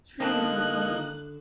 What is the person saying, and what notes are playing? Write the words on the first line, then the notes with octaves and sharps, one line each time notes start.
String is my foible.
D3 A#3 D#4 G#5 A5 F#6